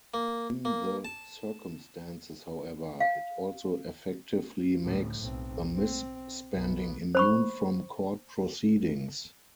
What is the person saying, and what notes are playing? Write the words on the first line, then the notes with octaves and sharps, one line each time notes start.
In the circumstances, however, it also effectively makes the misspending immune from court proceedings.
A#3
A#3
A5
F5
D2 A2
B1 C4
C4
B1 B3
C5 B5 C#6